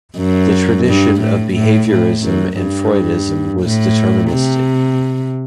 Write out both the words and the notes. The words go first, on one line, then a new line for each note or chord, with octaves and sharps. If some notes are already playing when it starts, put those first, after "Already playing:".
The tradition of behaviourism and Freudism was deterministic.
F#2
G2
A2
A2
A2
F#2
G2
A2
C3